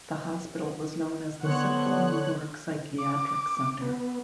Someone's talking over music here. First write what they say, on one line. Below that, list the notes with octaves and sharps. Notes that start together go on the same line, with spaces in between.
The hospital was known as the Central New York Psychiatric Center.
D3 B3 C4 C#5 F#5 F#6
D6
B3